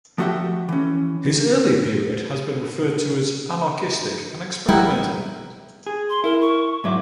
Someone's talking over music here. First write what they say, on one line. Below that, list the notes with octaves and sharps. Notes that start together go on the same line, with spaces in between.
His early period has been referred to as ", anarchistic and experimental".
F3 A3 F#4 G4 E5 G5
E3 C#4
G3 G#3 E4 A#4 F#5 G5
G#4
C6
E4 A#4
C#6
G#2 F#3 E5 D6